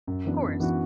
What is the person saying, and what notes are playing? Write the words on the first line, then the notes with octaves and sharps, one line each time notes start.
Of course.
F#2
E3 B3 D4 F#4
F#2
E3 B3 D4 F#4